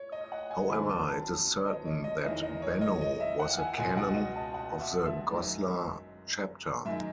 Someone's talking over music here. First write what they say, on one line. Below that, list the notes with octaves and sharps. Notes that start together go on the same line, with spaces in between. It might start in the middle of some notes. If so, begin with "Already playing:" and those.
However it is certain that Benno was a canon of the Goslar chapter.
Already playing: C#5
D#5
F#5
G#5
D#2 C#3 F#3 B5
A5
A5
C#5
D#5
C#5
D#5
E2 D#3 G#3 E5
D#5
C#5
D#5
D#5
E5
F#5
G#5
C#2 B2 G#3 G#5
F#5
D#5
A5
F#5
E5
E5
F#2 D#3 G#3
F#2 D#3 G#3 E5